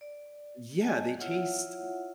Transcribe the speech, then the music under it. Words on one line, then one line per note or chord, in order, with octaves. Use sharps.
Yeah, they taste
D5
D#5 G#5 A5
E4 F4 C#5 E5 F#5